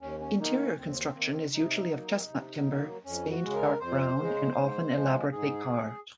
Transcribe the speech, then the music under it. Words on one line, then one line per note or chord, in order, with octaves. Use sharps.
Interior construction is usually of chestnut timber, stained dark brown and often elaborately carved.
D#2 C#4
C#4
D#3 A#3 D#4
C#4
D#2 C4
D#3 A#3
C3 D#4
F#3 A#3
C3
F#3 A#3
F2 C#4
F#4
C#3 G#3
A#4
F2 C5
C#3 G#3
G#2
F3 G#3
G#2 G#4